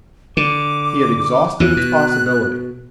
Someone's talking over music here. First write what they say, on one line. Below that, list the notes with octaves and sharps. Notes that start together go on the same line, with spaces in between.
He had exhausted its possibilities.
D3 D6
E2 E3 F#6
B2